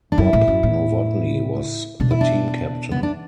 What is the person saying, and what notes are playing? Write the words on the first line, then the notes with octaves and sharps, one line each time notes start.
Bob Novotny was the team captain.
D4
F#2 E4
A2
F#2
A2
B2 D4
E4
D4
B3
D4